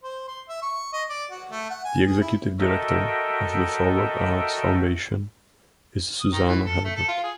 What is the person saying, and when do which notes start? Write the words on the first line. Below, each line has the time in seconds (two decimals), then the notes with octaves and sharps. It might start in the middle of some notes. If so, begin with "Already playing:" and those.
The executive director of the Forward Arts Foundation is Susannah Herbert.
0.04 C5
0.28 C6
0.49 E5
0.62 C#6
0.93 D#5
1.10 D5
1.31 F#4
1.51 A3
1.70 F#5
1.85 G#5
2.06 G#4
2.21 E4
2.59 F#4 A4 A#4 D#5 E5 G5
6.21 D#6
6.32 D#3
6.46 E3
6.66 A4
6.84 A3
6.96 A4
7.08 F4
7.23 G#4